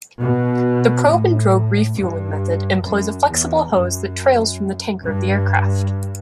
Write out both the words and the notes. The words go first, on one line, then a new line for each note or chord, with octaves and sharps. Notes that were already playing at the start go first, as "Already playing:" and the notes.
The probe-and-drogue refueling method employs a flexible hose that trails from the tanker aircraft.
B2
A2
G2
F#2
E2
F#2
G2